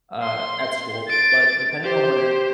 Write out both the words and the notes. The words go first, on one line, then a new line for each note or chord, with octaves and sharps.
uh, at school. But depending on what it
C6
A6 D7
G4 C5